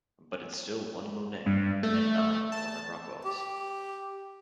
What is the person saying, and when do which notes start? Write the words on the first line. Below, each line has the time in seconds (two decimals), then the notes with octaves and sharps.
But it's still one Monet and nine Norman Rockwells.
1.46 G2
1.83 A3
2.52 A5
3.25 G4